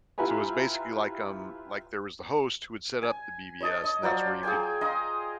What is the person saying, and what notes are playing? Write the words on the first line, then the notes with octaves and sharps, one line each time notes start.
So, it was basically like, um, like there was the host who would set up the BBS and that's where you could
E4 F4 G4 B4 G#5 A#5
G#5
C#5 D#5 A5
D#5
F#3 F4 C5 D5
G#4 F5 G5 G#5
D#5 F5 A#5 C6